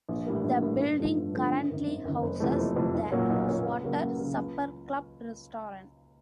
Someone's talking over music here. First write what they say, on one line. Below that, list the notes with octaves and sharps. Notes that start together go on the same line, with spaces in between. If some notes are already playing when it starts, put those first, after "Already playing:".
The building currently houses the Rosewater Supper Club Restaurant.
A#1
A2 E3 G3 A#3
A#1
A2 E3 G3 A#3
G1
G2 D3 F3 A3
G1
G2 D3 F3 A3
G#1
F#2 D#3
G#1
F#2 D#3
F#1
F2 C3 E3 A3
F#1
F2 C3 E3 A3
B1
A#2 F#3 A#3 C#4
B1
A#2 F#3 A#3 C#4
C#2
C#3 F#3 A#3
C#2
C#3 F#3 A#3
C#2